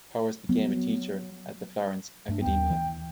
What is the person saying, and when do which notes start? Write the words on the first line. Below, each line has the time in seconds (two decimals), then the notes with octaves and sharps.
Powers became a teacher at the Florence Accademia.
0.49 F#3 B3
2.28 G2 A3 D4
2.42 D#2 A3 B3 G5
2.70 E3